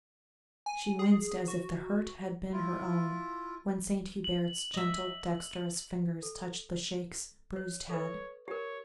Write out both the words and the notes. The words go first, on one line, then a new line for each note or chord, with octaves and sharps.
She winced as if the hurt had been her own when Saint Hubert's gentle, dexterous fingers touched the Sheik's bruised head.
G#5
G#4
F#4
E4 F4
F#7
D#5 E5
A4
C#5
A4 B4 C#5
G4 A#4 C#5